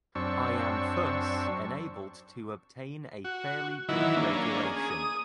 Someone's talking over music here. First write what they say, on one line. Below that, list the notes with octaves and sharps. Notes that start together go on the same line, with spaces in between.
I am thus enabled to obtain a fairly good regulation.
F#2 C4 D4 C#6 E6
F#4
D#3 E3 F#3 E4
A#3 C#4 D4
G#4
D#6